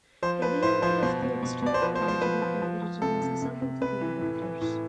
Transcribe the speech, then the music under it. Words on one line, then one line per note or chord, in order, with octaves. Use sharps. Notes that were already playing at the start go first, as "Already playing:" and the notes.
Any element of the exterior algebra can be written as a sum of "k"-vectors.
F3 C5
F3 B4
A2 C5
F3 C5
B2 C5
B2
B2
B2 D5
C5
F3 B4
C5
F3
C5
F3 B4
F3
F3
F3
C3 A4
C3
C3
C3
C3 B4
E3
A2
E3
A2